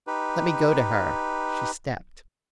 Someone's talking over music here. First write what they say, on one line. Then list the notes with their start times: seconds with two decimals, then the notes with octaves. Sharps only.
"Let me go to her." She stepped.
0.07 D#4 G4 B4